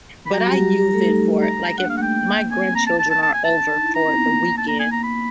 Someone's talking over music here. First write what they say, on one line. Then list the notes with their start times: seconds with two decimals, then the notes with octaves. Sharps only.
but I use it for, like, if my grandchildren are over for the weekend
0.26 B5
0.33 F#3 F#4 A#5
0.45 G3 G4
0.57 G3 G4
0.69 G3 G4
0.93 A3 A4
1.06 D#4
1.42 A#5
1.78 D4 F#5
1.87 A#3
1.90 F5
1.97 A3 F#5
2.02 A#3 G5
2.15 A#3
2.27 A#3
2.38 A#3
2.50 C4 G#5
2.75 A#5
2.86 A5
2.99 A5
3.10 A5
3.23 A5
3.34 G#5
3.44 A5
3.59 D4
3.71 D#4
3.83 E4
3.95 D#4 A#5
4.04 C4
4.13 B3
4.23 A#3
4.58 A5
4.67 A#3 A#5
4.80 G#5
4.92 A#5
5.03 B5